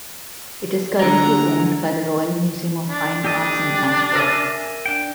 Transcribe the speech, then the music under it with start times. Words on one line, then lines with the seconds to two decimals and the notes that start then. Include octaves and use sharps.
It is currently owned by the Royal Museum of Fine Arts in Antwerp.
0.99 D3 G#3 D#4 F#5 A#5
2.90 D4
3.25 D4 G4 A4 D#5
4.16 A#4 E5 G#5
4.86 D4 G5